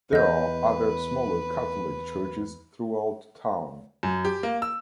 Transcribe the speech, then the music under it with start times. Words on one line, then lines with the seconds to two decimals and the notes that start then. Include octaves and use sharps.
There are other smaller Catholic churches throughout town.
0.13 E2 B4 D#5 G6
4.03 F#2
4.25 G4
4.43 A#3
4.62 E6